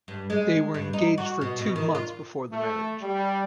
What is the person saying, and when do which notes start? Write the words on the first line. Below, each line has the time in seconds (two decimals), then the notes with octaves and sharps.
They were engaged for two months before the marriage.
0.08 G2
0.30 G#3
0.74 G2
0.93 D#4
1.18 F#4
1.41 B2
1.59 B2
1.76 D#3
1.95 F4
2.53 A3
3.02 G3